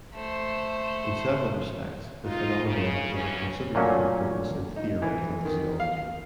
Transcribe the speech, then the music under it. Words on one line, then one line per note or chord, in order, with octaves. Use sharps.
In several respects, the phenomenon is of considerable importance in theoretical zoology.
A3 C5
D#4 F4
C#3
E2 B2 C#4
A#2 F#3 A3 A#3 C#4
D#4
E3
D#3
F5